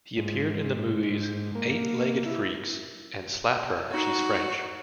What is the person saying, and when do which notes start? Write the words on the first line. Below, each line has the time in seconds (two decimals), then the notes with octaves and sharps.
He appeared in the movies "Eight Legged Freaks" and "Slap Her... She's French".
0.18 G#2
1.55 A#3
2.26 E4
3.91 D#4 F#4 C#5